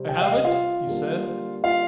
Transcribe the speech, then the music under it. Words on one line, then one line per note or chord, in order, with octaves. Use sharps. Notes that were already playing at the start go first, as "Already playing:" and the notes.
"I have it!" he said.
Already playing: C3 G3 C4
G5
F5
D#5
F4 F5
D3 G3 A#3
F4 F5